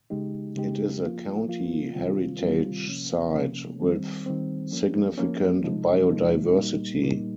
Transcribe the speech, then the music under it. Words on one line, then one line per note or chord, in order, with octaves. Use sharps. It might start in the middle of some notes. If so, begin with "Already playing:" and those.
It is a County Heritage Site, with significant biodiversity.
C#3 G#3 D#4 G4
C#3 G#3 D#4 G4
F3 A#3 F4
F3 A#3 F4
C3 D#3 G3 C4 F4
C3 D#3 G3 C4 F4
C3 F3 A#3 C#4
C3 F3 A#3 C#4
D#3 G3 C4
D#3 G3 C4
F3 A#3 C#4
F3 A#3 C#4
C3 F3 G#3 D#4
C3 F3 G#3 D#4
A#2 G3 A#3 D#4
A#2 G3 A#3 D#4